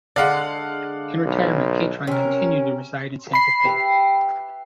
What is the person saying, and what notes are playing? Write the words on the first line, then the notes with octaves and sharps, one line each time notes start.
In retirement Catron continued to reside in Santa Fe.
D3 G#3 D5 F5 F#5
B1
C3 C#4 A#4
B5 C7
G4 B4 E5